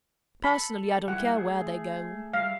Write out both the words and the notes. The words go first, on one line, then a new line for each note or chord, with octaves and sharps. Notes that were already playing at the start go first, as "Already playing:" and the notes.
Personally, I don't care where they go.
A4 B5
G3 E4 F#5
A3 G#4 D#6
G3 E5 F5